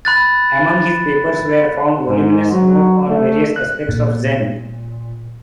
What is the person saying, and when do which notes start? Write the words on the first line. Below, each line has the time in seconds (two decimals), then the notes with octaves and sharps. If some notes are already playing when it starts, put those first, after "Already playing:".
Among his papers were found voluminous notes on various aspects of Zen.
0.05 B5 F#6 A6
2.06 G#2
2.50 F#3
3.06 A3
3.56 F#6
3.89 A#2